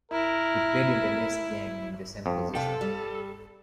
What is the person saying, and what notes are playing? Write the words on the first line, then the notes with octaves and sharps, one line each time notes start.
He played in the next game in the same position.
E4 A#4
F2
C3 A4 F5 G5
G3